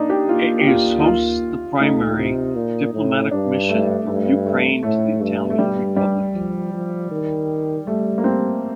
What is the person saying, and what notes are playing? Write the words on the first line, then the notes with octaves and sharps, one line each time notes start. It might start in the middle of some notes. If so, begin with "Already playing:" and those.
It is hosts the primary diplomatic mission from Ukraine to the Italian Republic.
Already playing: A#3 D4 D#4
G4
A#3 F4
G4
F4
D#4
F4
A3 D#4
C3
A#2
A2
G2 D4
A3
G2 A3
A3
A2 A3
G2 A3
A3
G2 G3
G3
F3
F3
D#3
G3 A3
A#3
C4